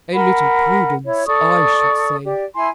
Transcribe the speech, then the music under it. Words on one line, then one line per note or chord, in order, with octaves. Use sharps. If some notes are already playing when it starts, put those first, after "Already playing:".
"A little prudence I should say."
A#4 F#5 B5
E4 C#5
A4 D5 C#6 D#6
G4 D5
E4 G#5 C6